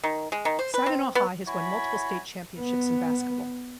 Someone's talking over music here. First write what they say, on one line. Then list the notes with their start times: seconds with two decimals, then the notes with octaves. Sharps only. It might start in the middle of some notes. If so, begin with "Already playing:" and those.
Saginaw High has won multiple state championships in basketball.
0.04 D#3
0.32 G#3
0.45 D#3
0.59 C5
0.74 B4
0.86 C4
1.15 B3
1.46 E4 F#4 C#5 G#5 B5
2.59 B3